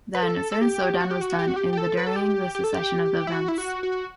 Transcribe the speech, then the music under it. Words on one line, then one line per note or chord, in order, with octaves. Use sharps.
Then, a certain slowdown was done in the during the succession of events.
B4
A4
A4
G4
F#4
G4
F#4
G4
F#4
G4
G4
A4
B4
A4
G4
G4
A4
G4
E4
F#4
E4
F#4
F#4